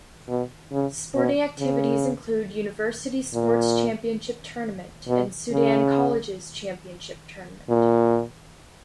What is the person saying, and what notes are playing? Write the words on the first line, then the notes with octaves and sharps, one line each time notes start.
Sporting Activities include university sports championship tournament and Sudan colleges championship tournament.
B2
C#3
B2
C#3
A#2
B2
C#3
A#2